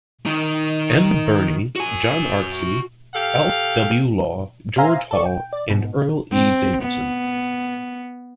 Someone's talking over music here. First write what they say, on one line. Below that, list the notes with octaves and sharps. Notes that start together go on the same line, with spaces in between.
M. Birnie, John Arksey, Alf W. Law, George Hall and Earl E. Davidson.
D#3 D#4
F#4 G#5
G4 A4 F5
C5 E5 F5 G#5 A#5 C6
A4 D5 C#6
G5
D5
G#2 B2
C4
B3